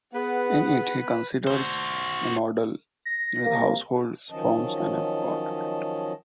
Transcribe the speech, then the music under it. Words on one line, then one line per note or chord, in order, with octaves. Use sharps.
In it he considers a model with households, firms and a government.
B3 G#4 B4 F#5
F#4 C5
A#6
C2 A#3
D#3 F3 F#3 C#4 D#5 A5